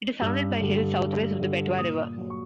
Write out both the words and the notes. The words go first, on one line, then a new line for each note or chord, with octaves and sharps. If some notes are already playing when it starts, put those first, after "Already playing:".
It is surrounded by hills southwest of the Betwa River.
G2 E6
D3 G3
G2
D3 G3
A#2 D#6
F#3
C#6